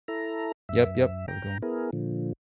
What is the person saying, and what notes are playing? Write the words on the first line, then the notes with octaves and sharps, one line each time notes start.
Yep, yep. Have a good one.
E4 A4 A#5
F#2 E5
G5 A#5
B3 E4 G#4 A#4
A#2 D3 F3